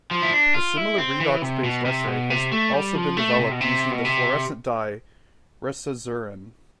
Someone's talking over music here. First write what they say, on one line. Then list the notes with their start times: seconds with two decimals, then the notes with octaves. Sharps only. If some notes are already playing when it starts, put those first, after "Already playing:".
A similar redox-based assay has also been developed using the fluorescent dye, resazurin.
0.11 F3
0.22 E4
0.33 D4
0.54 F4
0.77 E4
0.98 C4
1.20 E3
1.42 C3
1.64 B2
1.85 C3
2.07 B2
2.30 C3
2.52 A3
2.73 G3
2.95 F3
3.17 A3
3.39 C3
3.51 B2
3.61 C3
3.91 B2
4.05 C3